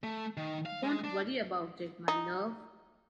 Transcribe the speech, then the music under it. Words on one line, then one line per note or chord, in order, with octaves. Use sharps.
Don’t worry about it, my love.
A3
D#3
F5
G#3
D4
D#4